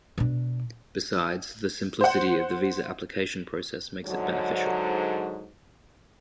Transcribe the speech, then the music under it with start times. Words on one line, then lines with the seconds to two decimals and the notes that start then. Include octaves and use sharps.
Besides, the simplicity of the visa application process makes it beneficial.
0.18 B2 D4
2.01 C5 F#5
4.05 G#2 D3 F#3